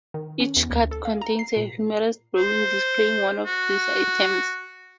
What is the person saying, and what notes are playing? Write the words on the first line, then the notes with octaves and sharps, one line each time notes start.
Each card contains a humorous drawing displaying one of these items.
D#3
C#4
E2
D2
A4
F5
A#5
C7
A#2
C5
F#4